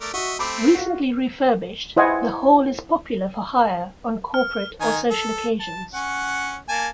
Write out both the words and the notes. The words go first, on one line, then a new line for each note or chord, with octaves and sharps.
Recently refurbished, the Hall is popular for hire on corporate or social occasions.
A3 A#4 D5
F#4 D#5 E5 C#6
A3 C4 B5 D6
F4 F#4
E4 C5 D#5 F#5 G#5
F6
D#3 D#4 G#5
A4
A5
C#4 F#5
A#3 G#5 A5